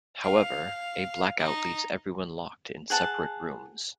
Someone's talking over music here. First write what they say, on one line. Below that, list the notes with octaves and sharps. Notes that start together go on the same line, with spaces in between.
However, a blackout leaves everyone locked in separate rooms.
F5
D#4
G#4 F#5 A5